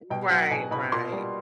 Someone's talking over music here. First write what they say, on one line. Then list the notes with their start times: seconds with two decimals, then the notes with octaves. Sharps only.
Right, right.
0.10 B2 G5
0.30 F#3 F#5
0.51 B2 G#5
0.71 B2 B5
0.92 A#2 C6
1.13 G3